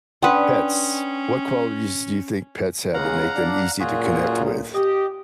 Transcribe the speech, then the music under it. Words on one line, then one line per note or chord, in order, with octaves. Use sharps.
pets. What qualities do you think pets have that make them easy to connect with?
C#4 D4 B4 F#5 G5 C6 D#6
C#2 C#3 F5 F#5 A#5
D4 D5
C#2 F#2 A#2 F4 F#4 G#4
G4 D#5